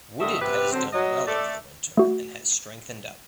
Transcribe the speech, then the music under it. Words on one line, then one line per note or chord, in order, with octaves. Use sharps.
Wooded has done well over the winter and has strengthened up.
D#2 D3 A3 D#5 E5
C3 B3 G4 B4
D3 F#3 C4
F#3 D#5
A3 A4 D5
A3 F#4